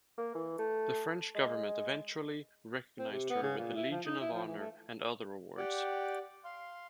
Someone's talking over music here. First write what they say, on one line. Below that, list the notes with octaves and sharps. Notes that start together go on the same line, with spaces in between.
The French government eventually recognized her with the Legion of Honor and other awards.
A#3
E3
A3
G#3
C4
C3
B3
C#3
A#2
E4
F3
D#4
E4
F3
E3
A3
G4 D5 F#5 G5
F5 C6